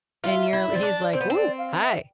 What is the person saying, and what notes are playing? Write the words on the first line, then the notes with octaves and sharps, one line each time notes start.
and you're he's like, "Woo, hi."
F4 E5 F5
E4
D5
C4
D4
C4 C5
B3
C4
D5
F5
E5